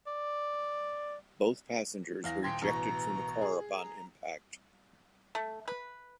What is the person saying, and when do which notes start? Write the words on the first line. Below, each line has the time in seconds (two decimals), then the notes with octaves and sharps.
Both passengers were ejected from the car upon impact.
0.07 D5
2.24 E2 F5 A#6
2.43 D#1 G5 C6 G#6
2.62 A1 B2 A#5 C#6
3.41 G#4
3.76 A#5
5.35 A3
5.68 B4